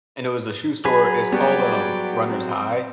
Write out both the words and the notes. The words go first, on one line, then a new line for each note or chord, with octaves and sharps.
and it was a shoe store, it's called, um, Runner's High,
F#3 G#4 B4
G3 B3 F#4 D5 G5
C4